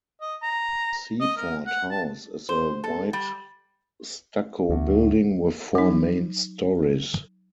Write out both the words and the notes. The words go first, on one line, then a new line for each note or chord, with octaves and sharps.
Seaford House is a white stucco building with four main stories.
D#5
A#5
D#5
A#4
F#5
A5
C5
A4
G3
D2
F#3 D#4